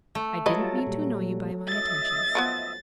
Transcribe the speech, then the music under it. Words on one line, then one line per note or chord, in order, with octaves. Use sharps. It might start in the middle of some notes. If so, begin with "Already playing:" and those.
I didn't mean to annoy you by my attentions.
A3
F#3 G3 F4 B4 D#5 A5
A#2 G3
D#5 E5 A6
F3 A#3 B3